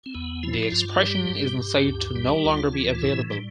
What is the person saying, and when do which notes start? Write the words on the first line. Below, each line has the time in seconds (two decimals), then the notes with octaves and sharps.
The expression is then said to no longer be available.
0.06 C4
0.15 E2 B3
0.43 F3 E4
0.72 G2 F4
1.01 G3 G4
1.29 G2
1.58 G2
1.87 D2
2.16 G3
2.44 D2 F4
2.73 E3
2.95 F4
3.02 A2 E4
3.30 G3